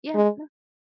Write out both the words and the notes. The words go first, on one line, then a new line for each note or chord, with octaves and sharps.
Yeah, yeah.
G#3